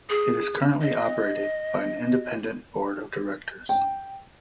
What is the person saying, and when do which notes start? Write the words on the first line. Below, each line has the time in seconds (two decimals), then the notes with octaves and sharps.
It is currently operated by an independent Board of Directors.
0.10 G#4
0.82 D#5
3.69 G5